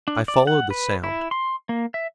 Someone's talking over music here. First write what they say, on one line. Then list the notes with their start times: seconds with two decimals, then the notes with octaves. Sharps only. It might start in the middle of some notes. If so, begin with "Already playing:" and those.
I followed the sound.
0.08 D4
0.28 D5
0.47 F#5
0.71 B4
1.04 E4
1.31 C6
1.69 A#3
1.94 E5